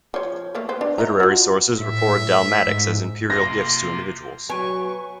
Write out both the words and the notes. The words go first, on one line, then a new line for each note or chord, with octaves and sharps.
Literary sources record dalmatics as imperial gifts to individuals.
F3 C#5
A3 A#3 B4
B4 C5
D4
D#5 E5 A#5
F4 F#4
A2 E5
G#2
C3 A#3 F4 A#6
F#3 B4 G#5 C#6 D7